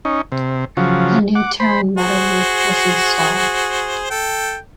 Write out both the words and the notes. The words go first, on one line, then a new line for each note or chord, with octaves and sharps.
A new terne metal roof was installed.
C#4 D#4
C3
C#3 F3 F#3
F#5 D6
C5 B5
F#4 G#4 C5
A4 G5